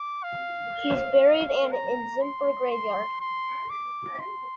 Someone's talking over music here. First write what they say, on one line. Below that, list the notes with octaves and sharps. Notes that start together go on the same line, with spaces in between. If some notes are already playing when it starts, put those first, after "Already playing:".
He was buried in Azimpur Graveyard.
Already playing: D6
F5
A#5
C6
C6
C6
D6
C6